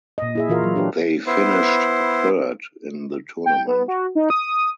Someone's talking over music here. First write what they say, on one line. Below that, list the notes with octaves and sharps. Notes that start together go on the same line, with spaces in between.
They finished third in the tournament.
A#2 D#5
E4 G#4 E5
A#2 E3 F4 F#4 A#4 F5
F#3
D4 G4 B4
B3 E4 C5
G5
B3
F#4
D#4
D#6